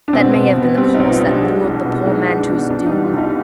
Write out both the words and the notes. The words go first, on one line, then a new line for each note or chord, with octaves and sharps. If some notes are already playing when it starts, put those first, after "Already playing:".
That may have been the cause that lured the poor man to his doom.
D4
B2 C4
B3
B2
B2 B3
G3 C4
B1 D#4
F4
B1 D4
G#3
C2
B2
G#3 D#4
G#3
D4
B2
C2 D4
D#4
G3
F4
C2 D#4